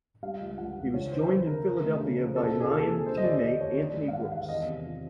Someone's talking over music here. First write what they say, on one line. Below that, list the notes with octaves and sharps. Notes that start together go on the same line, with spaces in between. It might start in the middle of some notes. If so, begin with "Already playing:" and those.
He was joined in Philadelphia by Lion teammate Anthony Brooks.
G3 F5
C#2
C#2 F#5
C#2
C#3 C#5
E3 C5
E3 B4
C#3 A#4
F3
A3
C#3
F3
C3 A4
C3
G#4
A#3 A4
F3
D3 C5
D#5
D#2 D5
D#2 D#5
D#2 C#5
D#3 D5
G#2
F5
G#3 F#5
D#3 F5
E2 D#5
C3
F3